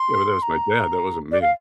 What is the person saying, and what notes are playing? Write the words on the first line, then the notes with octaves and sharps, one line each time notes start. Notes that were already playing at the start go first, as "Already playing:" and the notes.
Yeah, but that was my dad, that wasn't me.
Already playing: C6
A#5
D5
F5